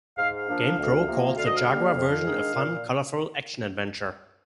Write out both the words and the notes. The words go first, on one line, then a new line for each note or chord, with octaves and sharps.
"GamePro" called the Jaguar version "a fun, colorful action adventure".
G#2 F5
F5
F3 A#3 D4
D2
C3 F3 A#3
D2 F5
D#5
F5
D3 G3 A#3
F2
D#3 G#3 D4
A#2